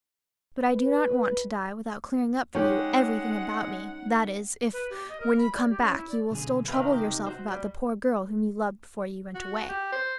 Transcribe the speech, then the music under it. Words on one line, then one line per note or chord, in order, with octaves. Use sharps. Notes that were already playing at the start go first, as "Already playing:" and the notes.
But I do not want to die without clearing up for you everything about me; that is, if, when you come back, you will still trouble yourself about the poor girl whom you loved before you went away.
B4
G#3 C#4 D#4 G4 F#5
B4
G4
D#5
A#4
B5
D5
G4
C#4
E4
D5
B1 D3 G#4
C3 D#3 B4 F5 B5
C#2 G4
F#4 C5
G3
F#4
G4
C5